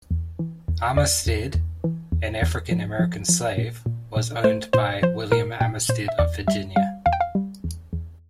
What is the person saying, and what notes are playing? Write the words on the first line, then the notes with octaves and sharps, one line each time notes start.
Armistead, an African-American slave, was owned by William Armistead of Virginia.
E2
E3
E2
E2 D5
E2
E2
E3
E2
E2
F3
F3
F3
A#2
A#2
A#2
A3 C5
A#2 C5
F3 C5
A#2 A#4
A#2 G5
A#2 C5
E5
E2 D5
G3 E5
G3 F5
E2 F5
G5
F5
G3
E2
E2